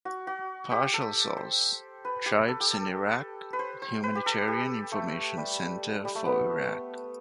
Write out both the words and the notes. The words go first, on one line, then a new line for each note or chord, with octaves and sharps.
Partial source: Tribes in Iraq, Humanitarian Information Centre for Iraq.
F#4
F#4
G4
A4
C5
B4
G4
A4
G4
A4
B4
C5
C5
B4
G4
A4
G4
A3
G3
G3
A3
B3